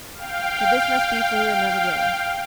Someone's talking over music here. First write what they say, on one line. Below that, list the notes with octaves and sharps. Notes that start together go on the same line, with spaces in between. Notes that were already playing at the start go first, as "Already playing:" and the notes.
But this must be for another day.
F5 G5